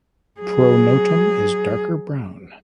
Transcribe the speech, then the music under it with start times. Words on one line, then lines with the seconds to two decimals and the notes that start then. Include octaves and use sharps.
Pronotum is darker brown.
0.41 F#3 G#4